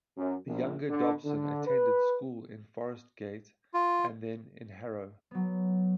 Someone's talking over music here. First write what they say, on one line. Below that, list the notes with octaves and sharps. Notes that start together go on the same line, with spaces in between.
The younger Dobson attended school in Forest Gate and then in Harrow.
F#2
A#1
D3
D3
B4
F4
F#3 B3